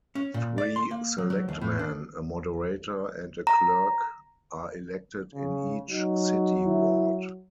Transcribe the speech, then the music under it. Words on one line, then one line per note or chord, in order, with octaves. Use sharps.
Three selectmen, a moderator, and a clerk are elected in each city ward.
C#4
A#2
D5
C6
A#3
F#3
F#3
D#2
A2
D4
A#5
C#3
F#3 D#4
E4